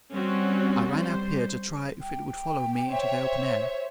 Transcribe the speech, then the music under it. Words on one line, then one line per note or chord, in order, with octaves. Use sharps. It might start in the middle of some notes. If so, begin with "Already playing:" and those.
I ran up here to try if it would follow me into the open air.
G3 C4 C#4 F#4
C5
G5
C5 C#5 E5